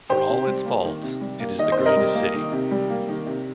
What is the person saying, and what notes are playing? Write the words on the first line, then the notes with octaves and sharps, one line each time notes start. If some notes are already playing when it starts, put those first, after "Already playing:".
For all its faults, it is the greatest city.
D#3 G4 C5
C3
G3
A#3
D#3
C3
G3
A#3
D#3 D#5
C5
C3
A#4 D#5
G3
A#3
D#3
C3
G3
A#3
D#3
C3